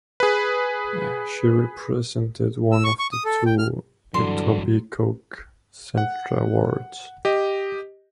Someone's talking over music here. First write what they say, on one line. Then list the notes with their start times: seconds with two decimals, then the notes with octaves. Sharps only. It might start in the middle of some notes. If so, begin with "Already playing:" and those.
She represented one of the two Etobicoke Centre wards.
0.20 G#4 B4
2.72 E6
2.84 C#6
2.99 C#6
3.12 D#6
3.25 A4
3.46 G5
3.59 F6
4.14 G2 D3 E3 F#3 C6
5.98 F#5
7.25 G4 D#5